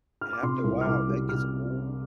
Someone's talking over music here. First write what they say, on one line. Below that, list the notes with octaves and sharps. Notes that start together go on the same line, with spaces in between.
And after a while, that gets old,
F6
D6
C3 C6
C2
F6
C2 D6
G3
C3 F6